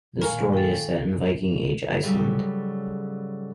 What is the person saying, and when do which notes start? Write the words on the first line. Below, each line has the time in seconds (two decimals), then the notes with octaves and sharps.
The story is set in Viking Age Iceland.
0.22 A#2 D#3 G#3 A#4 F5 G#5 C#6
0.53 A4 G5
2.03 G#2 C#3 F#3 G3 A3